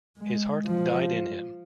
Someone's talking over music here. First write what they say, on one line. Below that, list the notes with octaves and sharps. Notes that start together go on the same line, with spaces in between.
His heart died in him.
G#3
F3